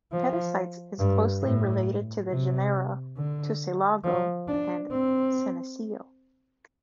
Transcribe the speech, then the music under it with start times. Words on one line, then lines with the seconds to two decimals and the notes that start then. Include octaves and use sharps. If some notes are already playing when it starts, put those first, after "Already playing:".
"Petasites" is closely related to the genera "Tussilago" and "Senecio".
0.12 F3
0.99 G2
1.42 A2
2.31 C3
3.17 D3
4.04 F3
4.48 D4
4.91 C4